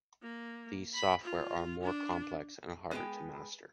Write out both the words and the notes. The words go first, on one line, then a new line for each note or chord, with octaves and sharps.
These software are more complex and harder to master.
A#3
B5
F4
D4
G#3 B3 B4 D5 G5